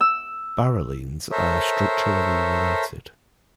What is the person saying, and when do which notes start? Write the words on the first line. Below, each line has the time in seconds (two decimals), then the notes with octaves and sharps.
Barrelenes are structurally related.
0.01 E6
1.32 A4 A#4 C5 C#5 E5